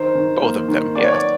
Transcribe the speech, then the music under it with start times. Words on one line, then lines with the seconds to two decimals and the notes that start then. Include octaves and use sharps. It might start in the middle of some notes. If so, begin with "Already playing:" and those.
Both of them. Yes.
Already playing: D#3 C5
0.15 D#3
0.42 A#3
0.68 D#3
0.96 B3 D5
1.05 C#5
1.12 D5